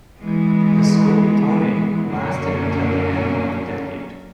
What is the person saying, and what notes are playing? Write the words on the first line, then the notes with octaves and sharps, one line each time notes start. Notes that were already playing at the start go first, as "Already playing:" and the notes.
The Scopitone lasted until the end of the decade.
E3 G#3 B3
F#2 D3 F#3 A#3 C#4